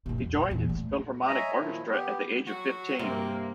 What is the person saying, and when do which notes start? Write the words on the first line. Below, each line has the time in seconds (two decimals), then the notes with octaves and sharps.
He joined its Philharmonic Orchestra at the age of fifteen.
0.06 F#2 A#2
0.18 E2
0.34 A#1
0.50 E2 A#2
0.69 A3
1.27 C#5 D#5 E5 G#5 A#5
1.60 A#2 D#3 F3 E4
1.91 B3 G4
2.47 F#3 F#4
2.99 G2 C3 A#3 C4